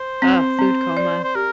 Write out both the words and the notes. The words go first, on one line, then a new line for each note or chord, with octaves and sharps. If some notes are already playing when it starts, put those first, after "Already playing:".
uh, food coma.
Already playing: C5
C4
C4
D5
C5
G4 A#4